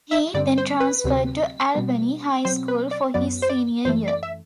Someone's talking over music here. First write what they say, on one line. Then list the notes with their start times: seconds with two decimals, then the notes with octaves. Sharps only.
He then transferred to Albany High School for his senior year.
0.11 E5
0.34 G2 D3 G3 C4 D5
0.58 C5
0.80 B4
1.04 D2 C3 F#3 C4
1.74 B2 G3 B3
2.44 B2 F#3 C4 C5
2.68 B4
2.91 D5
3.14 F#2 F#3 B3 D5
3.42 C5
3.49 D5
3.85 F#2 E3 A3 C5
4.08 D5
4.23 E5